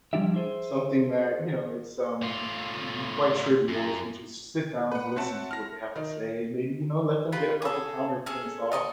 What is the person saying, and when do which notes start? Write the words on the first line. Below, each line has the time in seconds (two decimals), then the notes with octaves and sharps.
something that you know, it's um, can be quite trivial if you just sit down and listen to what they have to say and maybe, you know, let them get a couple of counterpoints off
0.13 F3 G3 D4 E4 G4 E5
0.35 G#4 C5 E5
2.22 A2 F4
3.68 F#2
4.91 B4 F#5
5.16 C4 F#4 C#5 E5 F#5 A5
5.51 F6 A#6
5.96 D#3 D#4
7.32 F4 G4 B4
7.62 G#4 A4
8.26 C#4 G#4 A4
8.72 D5 D#5 C6 C#6